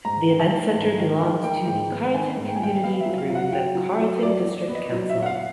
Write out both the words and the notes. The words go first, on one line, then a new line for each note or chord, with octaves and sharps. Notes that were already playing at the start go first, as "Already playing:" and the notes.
The Events Centre belongs to the Carterton community, through the Carterton District Council.
G#2 A#5
D#3
A5
D#3
G#2
D#3
D#3
G#3 G5
G#2 G5
B3
D#3 G#5
G#2
G5
G#5
G#3 G5
B3 F5
E5
F#3
F5
F#3
F#5
F#3 G5
F#3
F#3
F#3 D5
D5
F#3
D5
B3
D#5
F#3 D#5
E5
F#3
F#5
F5